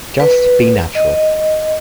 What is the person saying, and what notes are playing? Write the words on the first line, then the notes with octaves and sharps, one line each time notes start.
Just be natural.
B4
D#5